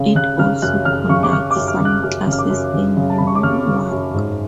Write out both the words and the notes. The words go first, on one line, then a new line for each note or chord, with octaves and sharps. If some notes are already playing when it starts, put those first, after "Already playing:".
It also conducts some classes in Newark.
Already playing: C#3
C#3 F#6
C#3 F6
F#2 F#6
C#3 F6
C#3 C#6
D6
C#3 F6
D6
F#2
F6
C#3
F#6
F#2 F6
C#3
F6
D6
F#2
C#3
C#3
A5
C#3 B5
C#6
D6
C#3 F6
C#3
F#2
G#2